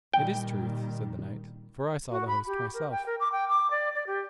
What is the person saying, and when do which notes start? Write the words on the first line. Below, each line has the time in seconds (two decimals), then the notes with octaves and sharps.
It is truth, said the knight, for I saw the host myself.
0.14 A#2 D#3 G3 G5
2.10 F#4
2.27 B5
2.47 G4
2.74 A#4
2.91 G5
3.06 A#4
3.20 D6
3.32 G5
3.49 D6
3.71 D5
3.95 D5
4.07 G4